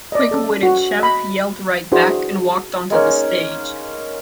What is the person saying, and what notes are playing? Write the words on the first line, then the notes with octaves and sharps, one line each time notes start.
Quick-witted Shemp yelled right back, and walked onto the stage.
D5 D#5
C#4 A4
F#4
D#5 B5
D4 E4 F#4 G#4 C5
G#3 A#3 C#4 D#4